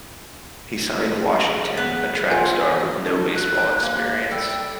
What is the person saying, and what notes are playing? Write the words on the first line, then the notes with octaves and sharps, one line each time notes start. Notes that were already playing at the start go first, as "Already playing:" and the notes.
He signed Washington, a track star with no baseball experience.
G#4
B3
F4 C5 F#5 G#5 A5
D#4 A4
F#6
G#2 G5
A#3
E5
G3 A4 D5 G5